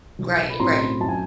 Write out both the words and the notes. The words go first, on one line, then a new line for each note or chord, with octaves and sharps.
Right, right.
B1
B5
A2 F#3 A3 C4 A#5 C6
F#2 A5
G#5